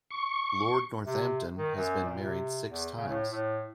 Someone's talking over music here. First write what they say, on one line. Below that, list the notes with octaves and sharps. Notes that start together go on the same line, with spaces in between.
Lord Northampton has been married six times.
C#6
C3
D#3
F#2
A#2
C3
E2
C#3
A2
A2